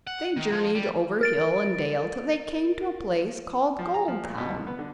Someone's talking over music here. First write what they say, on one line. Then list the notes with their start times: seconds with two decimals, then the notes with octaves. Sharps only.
They journeyed over hill and dale till they came to a place called Goldtown.
0.07 F#5
0.37 D#3
0.52 F3
0.75 G3
1.21 A#4 A6 D7
3.79 F3
3.94 A#5
4.08 F3
4.24 A#2
4.38 B2
4.50 C2
4.67 B3
4.79 D3